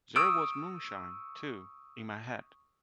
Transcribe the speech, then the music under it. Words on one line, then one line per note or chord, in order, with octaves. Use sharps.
There was moonshine, too, in my head.
C#6 D#6 E6 D7